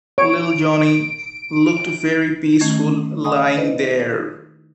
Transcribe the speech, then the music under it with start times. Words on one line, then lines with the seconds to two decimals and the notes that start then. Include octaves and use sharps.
Little Johnnie looked very peaceful lying there.
0.18 C#5 D7
2.61 D#3 A3 C#4 G#6
3.24 D#5 F#5 G#5 A5 C#6 D#6
3.57 D#4 E4 B4 C5 D5 D#5